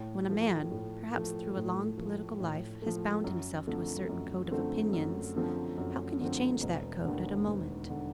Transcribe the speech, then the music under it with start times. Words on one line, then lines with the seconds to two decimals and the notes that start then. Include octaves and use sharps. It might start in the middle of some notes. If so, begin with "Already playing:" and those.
When a man, perhaps through a long political life, has bound himself to a certain code of opinions, how can he change that code at a moment?
Already playing: A2
0.29 F3 A3
0.71 A2
1.14 F3 A3
1.56 A2
1.98 F3 A3
2.40 A2
2.82 F3 A3
3.24 F#2
3.67 D3 F3 A3 C4
4.09 F#2
4.51 D3 F3 A3 C4
4.93 F#2
5.36 D3 F3 A3 C4
5.78 F#2
6.20 D3 F3 A3 C4
6.63 E1
7.05 D#2 D3
7.47 E1
7.90 D3